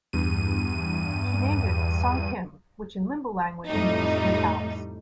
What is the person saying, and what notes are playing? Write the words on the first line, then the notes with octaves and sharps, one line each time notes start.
She named it "Song Khim" which in Limbu language means "New Palace".
E2 G2 D#7
F2 A2 G3 A3 D#4